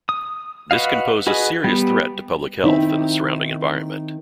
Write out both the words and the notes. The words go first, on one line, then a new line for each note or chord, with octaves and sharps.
This can pose a serious threat to public health and the surrounding environment.
D#6
F#4 B4 D#5 F5
F#4 G#4 B4 D#5
G3 B3
D#3 C4 D#4 E4